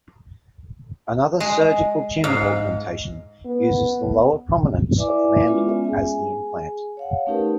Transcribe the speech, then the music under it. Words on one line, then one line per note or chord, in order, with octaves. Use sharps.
Another surgical chin augmentation uses the lower prominence of the mandible as the implant.
G#3
G#2 F5
B3
E4 B4 D5 E5 G#5 D6
G#3 B3 C#4 F4 E5
G#4 G#5
C#5 F5 F#5
A3 C#4 D#4 G4 A#4 B4